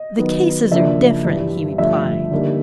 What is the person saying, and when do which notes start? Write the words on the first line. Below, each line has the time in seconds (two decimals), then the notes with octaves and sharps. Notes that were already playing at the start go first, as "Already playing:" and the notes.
'The cases are different,' he replied.
Already playing: D#5
0.18 D#3 F#3 B3
0.71 C#3 F3 A#3 D4 E5
1.25 G2 E3 G3
1.78 G2 D3 F3 A3 E5
2.31 D3 G3 A#3 D#4